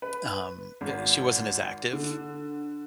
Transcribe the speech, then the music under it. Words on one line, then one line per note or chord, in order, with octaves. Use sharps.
um, e She wasn't as active,
B4
G#1
D3